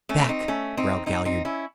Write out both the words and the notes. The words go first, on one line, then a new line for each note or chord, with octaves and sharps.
"Back!" growled Galliard.
A3 C#4
C4 D#4
A3 C#4
C4 D#4
C4 D#4
C4 D#4
C#4 E4